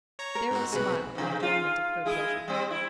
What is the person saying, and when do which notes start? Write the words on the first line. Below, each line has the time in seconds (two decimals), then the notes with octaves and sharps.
Darrow smiled in enjoyment of her pleasure.
0.19 C#5 A#5
0.35 A#4
0.51 G#2 C4 F#4
0.72 B1 C3 F#4 G#4 B4
1.15 G#2 C3
1.43 F4
2.05 G#3 E4 G#4
2.48 G3 C4
2.71 E4